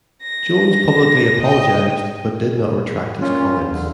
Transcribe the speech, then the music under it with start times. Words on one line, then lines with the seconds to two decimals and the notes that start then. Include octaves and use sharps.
Jones publicly apologized, but did not retract his comments.
0.23 A#6
1.40 D#5 G5
3.21 A#2 C#4 F4
3.72 E2 D3